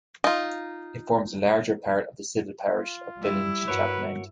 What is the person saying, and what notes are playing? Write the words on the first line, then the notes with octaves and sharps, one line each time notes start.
It forms the larger part of the civil parish of Billinge Chapel End.
D#4 F4
F4
G3 E4
G2 F#4 A#4 B4 C#5